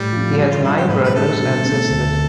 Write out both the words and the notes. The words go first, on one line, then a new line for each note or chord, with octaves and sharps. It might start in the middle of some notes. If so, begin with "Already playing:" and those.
He has nine brothers and sisters.
Already playing: A2 G3
F3 C4
G2 G3
F4
D3 G3 E4
G4
A2 B4
B4
G3 D4 G4 A4
B2
A3 C4
D2